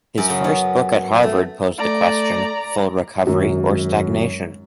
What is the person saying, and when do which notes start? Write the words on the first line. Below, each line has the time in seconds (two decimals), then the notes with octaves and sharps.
His first book at Harvard posed the question Full Recovery or Stagnation?
0.18 F#2
0.30 C#3
0.44 B3
1.23 A3
1.78 A3 D5 A#5
3.25 G#1 F#2 F#3